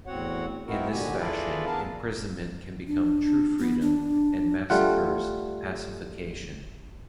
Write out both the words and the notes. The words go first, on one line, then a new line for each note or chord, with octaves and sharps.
In this fashion, imprisonment can become "true freedom", and massacres "pacification".
E2 A2 C4 F#4 C#5 F#5
B3 C4 D#4 E4 F#4 A#4
D#2 A#2 D3 F#4 G4 G#5
E4 F4 G#4 A4 B4 D5
B3 D4 G#4 A#4 F5 A5
D4
B3
D4
G3 A3 F4 F#5